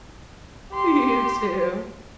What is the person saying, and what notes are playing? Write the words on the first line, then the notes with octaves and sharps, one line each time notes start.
You too.
G4 C6